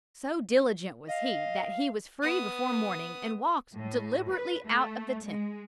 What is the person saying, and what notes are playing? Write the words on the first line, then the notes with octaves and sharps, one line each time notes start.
So diligent was he that he was free before morning and walked deliberately out of the tent.
D#5 F5
B3 D#6
A2
B4
A3
G#3